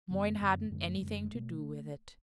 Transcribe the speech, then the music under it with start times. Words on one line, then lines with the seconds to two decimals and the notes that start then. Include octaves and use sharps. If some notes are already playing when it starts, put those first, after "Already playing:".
Moyne hadn't anything to do with it.
0.11 F#2 D3 B3
0.41 F#2 D3
0.71 F#2 D3 G#3
0.85 A3
0.98 F#2 D3 G#3
1.24 G#3
1.32 B2 A3